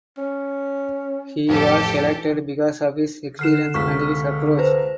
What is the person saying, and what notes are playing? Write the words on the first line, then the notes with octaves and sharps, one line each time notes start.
He was selected because of his experience and his approach.
C#4
A1 F2 G4 A4
E3
D3 F6 F#6 C7 E7
C#2 C3 C#6 F6 B6
B4 C5